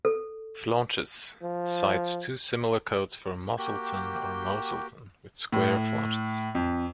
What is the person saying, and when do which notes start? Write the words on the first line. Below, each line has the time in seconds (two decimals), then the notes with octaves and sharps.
Flaunches, cites two similar coats for Mosylton or Moselton with square flaunches.
0.05 A4
1.43 F3
3.58 A#3 F#4 G4 G5
5.53 A2
6.55 F2